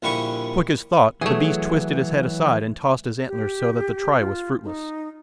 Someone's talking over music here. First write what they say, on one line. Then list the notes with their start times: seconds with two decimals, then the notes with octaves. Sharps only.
Quick as thought the beast twisted his head aside and tossed his antlers so that the try was fruitless.
0.02 A#1 D3 G3 E4 G#4 C#6
1.21 E3 F#3 A3 G#4
3.28 G4
4.19 F4
4.64 D#4